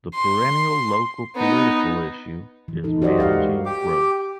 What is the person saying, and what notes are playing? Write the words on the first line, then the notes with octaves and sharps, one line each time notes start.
The perennial local political issue is managing growth.
C6
B3 D#4
E3
D#4 A4
F#4 G4 C5 D5 D#5
G4 A#4 F5 F#5
G#3
G4 D6